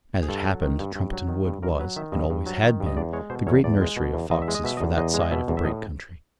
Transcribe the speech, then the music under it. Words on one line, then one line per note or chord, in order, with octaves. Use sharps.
As it happened, Trumpeton Wood was, and always had been, the great nursery of foxes for that side of the Brake country.
G#4
G2 A4
F#3
D#3
G2
G2
F#3
D#3
G2
G2 A#4
F#3 B4
D#3 E5
G2 D#5
G2
F#3
D#3
G2
D#5
E2 D5
G#3 C#5
B2 C5
E2 C#5
E2 D5
G#3
B2
E2
E2 D#5
E5
G#3
D#5
B2 E5
D#5
E2
E2 D#5
G#3
D#5
B2 E5
E2
E5
A2 D#5